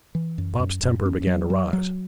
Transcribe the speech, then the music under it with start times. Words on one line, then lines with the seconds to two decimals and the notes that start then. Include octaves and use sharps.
Bob's temper began to rise.
0.15 E3
0.38 F#2
0.60 F#2
0.83 F#2
1.06 C#4
1.27 F#3
1.50 F#3
1.73 F#3